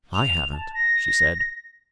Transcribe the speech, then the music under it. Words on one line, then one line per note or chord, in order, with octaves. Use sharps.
"I haven't," she said.
F7
A5
A#6